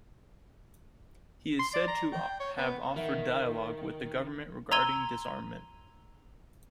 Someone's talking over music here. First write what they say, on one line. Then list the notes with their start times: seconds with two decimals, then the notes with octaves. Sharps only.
He is said to have offered 'dialogue' with the government regarding disarmament.
1.59 C6
1.74 D5
1.88 A#5
2.13 G5
2.40 C#5
2.57 B3
2.96 D#3 A#4 E5 F#5
4.72 A#5 C6 E6 G#6 D#7 G7